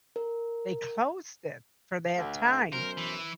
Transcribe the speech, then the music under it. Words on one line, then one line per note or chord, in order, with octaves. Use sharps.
they closed it for that time.
A#4
D2
F#2 B2 A#4 C5
E3